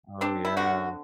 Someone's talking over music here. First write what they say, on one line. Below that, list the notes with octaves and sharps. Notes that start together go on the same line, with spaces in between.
Oh, yeah.
C4 D4
E4
D3 F#4